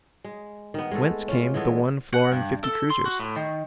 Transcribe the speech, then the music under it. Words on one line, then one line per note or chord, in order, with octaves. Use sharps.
Whence came the one florin fifty kreuzers?
G#3
D#3 B3
G#3 A3 A4
C#4 F4
E3 G#3 B3 A4
F#5
G2
A4
C6
F#4
A2
D#3